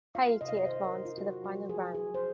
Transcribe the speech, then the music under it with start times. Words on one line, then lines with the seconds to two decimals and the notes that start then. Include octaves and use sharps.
Haiti advanced to the Final Round.
0.15 F4 F5
0.41 C3 D#5
0.49 F5
0.57 D#5
0.66 D#3 C5
0.84 A#4
0.93 D#3
1.05 F4
1.18 F#3 F#4
1.44 F#3 F#4
1.69 F3 G#4
1.94 F3 G#4
2.14 C5